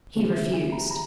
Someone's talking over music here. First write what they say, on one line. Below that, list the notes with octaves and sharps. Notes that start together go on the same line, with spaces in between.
He refused.
D#2 C#3 E3 A#3 C#4 G#4
E5
G#5
A#5
A#5